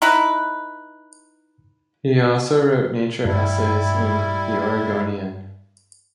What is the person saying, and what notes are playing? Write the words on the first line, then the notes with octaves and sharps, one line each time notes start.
He also wrote nature essays in "The Oregonian".
D#4 E4 B4
G2 G3 E4